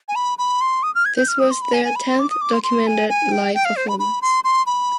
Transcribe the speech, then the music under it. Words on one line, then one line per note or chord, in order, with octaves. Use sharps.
This was their tenth documented live performance.
G#5
B5
B5
C6
D#6
F6
G#6
G6
F6
D#6
C6
B5
G#5
G#5
B5
C6
D6
D#6
D6
C6
C6
G#5
G#5
G5
G5
F5
C5
B5
B5
C6
C6
B5